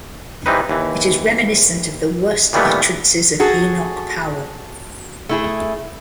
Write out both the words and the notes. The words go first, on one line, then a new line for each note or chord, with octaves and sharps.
It is reminiscent of the worse utterances of Enoch Powell.
E3 G3 C4 D#4 B4
D#2 E3
A#2 D#3 E3 G3 A3 B3
F#4 G#4 A4
A3 E4 G#4